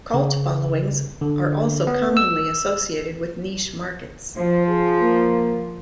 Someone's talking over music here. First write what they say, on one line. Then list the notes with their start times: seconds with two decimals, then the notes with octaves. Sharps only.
Cult followings are also commonly associated with niche markets.
0.14 C#3
1.21 D3
1.87 B3
2.17 E6
4.37 F3 C5
4.68 G#4
5.01 A#3